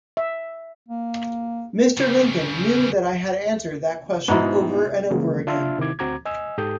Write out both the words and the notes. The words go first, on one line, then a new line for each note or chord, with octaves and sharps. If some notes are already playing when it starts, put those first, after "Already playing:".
Mr Lincoln knew that I had answered that question over and over again.
E5
A#3
C#3 G3
G#2 B2 B3 D#4 E4
C#3 E3 G#3 A#3
D4 F4 E5 A5 C6 F6
C3 D#3 E4 D6 G#6
D2 C4 F#4 A#5 D6 G#6
D#5 G#5 E6
G#2 G4 A4 D#6 G6